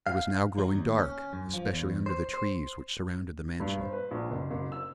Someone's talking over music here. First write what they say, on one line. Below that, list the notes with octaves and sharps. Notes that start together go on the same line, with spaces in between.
It was now growing dark, especially under the trees which surrounded the mansion.
F5
F#3
D#2
C#4
F#2
F3
E2
C5
C5
G2
C5
B4
A#1
F#1
F#1
E6